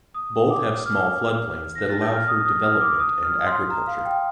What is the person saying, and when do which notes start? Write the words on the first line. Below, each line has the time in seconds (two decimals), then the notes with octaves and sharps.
Both have small floodplains that allow for development and agriculture.
0.14 D#6
0.50 D6
0.86 F6
1.75 A#6
1.89 A6
2.02 G6
2.15 F6
2.28 D#6
2.46 D#6
2.63 F6
2.81 D6
2.99 D#6
3.23 F6
3.46 C6
3.70 A#5
3.87 F5
4.05 G5